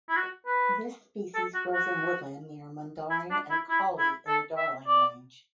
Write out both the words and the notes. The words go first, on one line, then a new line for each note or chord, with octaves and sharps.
This species grows in woodland near Mundaring and Collie in the Darling Range.
E4
F#4
B4
A4
F#4
F#4
E4
D4
E4
E4
E4
A4
E5
D5